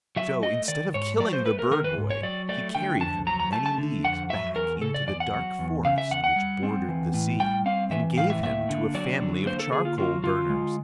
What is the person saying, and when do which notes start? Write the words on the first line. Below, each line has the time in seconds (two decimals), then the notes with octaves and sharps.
So, instead of killing the bird-boy, he carried him many leagues back into the dark forest which bordered the sea, and gave him to a family of charcoal-burners.
0.16 F#3 E5
0.42 A3 D#5
0.68 D#3 D5
0.94 G#2 C#5
1.20 F#3 D5
1.33 C5
1.46 A3 B4
1.59 A#4
1.71 D#3 A#4
1.84 B4
1.98 G#2
2.10 C#5
2.23 F#3 D5
2.49 A3 D5
2.75 D3 G5
3.01 F2 A5
3.27 F#3 A#5
3.40 A#5
3.52 A3 A5
3.66 A5
3.78 D3
4.04 F2 F#5
4.30 F#3 E5
4.56 E2 A#4
4.82 C#3 A4
4.94 D5
5.07 E2 D5
5.20 F#5
5.33 F#3
5.59 E2
5.85 C#3 F5
5.98 E5
6.11 E2 F#5
6.24 F#5
6.36 G3
6.63 C4
6.89 E3
7.14 A2
7.40 G3 G5
7.66 C4 F5
7.91 E3 E5
8.17 A2 F5
8.30 E5
8.43 A#3 E5
8.69 D3
8.95 F#3 D5
9.21 D3
9.46 A#3 C5
9.60 A4
9.72 D3 G#4
9.85 F4
9.98 F#3 F4
10.24 D3 F4
10.50 G#3